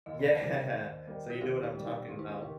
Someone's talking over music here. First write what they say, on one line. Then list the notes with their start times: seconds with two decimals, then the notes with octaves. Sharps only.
Yeah, so you know what I'm talking about.
0.06 D#2 D#5
0.19 D5
0.31 C5
0.40 D#3 G3 D5
0.73 D#2
1.07 D#3 G3
1.30 F4
1.41 D#2 G4
1.63 D#4
1.74 D#3 G3
1.86 D#4
2.09 D#2 D4
2.19 D#4
2.30 D4
2.42 D#3 D#4